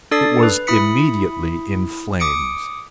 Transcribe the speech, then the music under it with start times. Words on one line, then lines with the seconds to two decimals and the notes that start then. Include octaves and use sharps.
It was immediately in flames.
0.11 D4 A4 D5 D#6 A6 C7
0.43 B4
0.67 E4 B5 D#6 B6 C#7
2.20 D6 D#6 C#7 D7